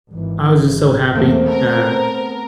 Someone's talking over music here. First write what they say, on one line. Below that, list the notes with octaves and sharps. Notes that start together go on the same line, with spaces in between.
I was just so happy. Uh,
G#1 E3
E2 A3 A#3 C4 C5
A3 B3 C4 A#4